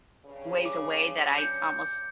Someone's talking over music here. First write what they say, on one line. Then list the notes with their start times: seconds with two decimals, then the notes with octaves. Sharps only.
ways away that I almost
0.24 G2 C#3
0.66 D6
1.38 G6 C#7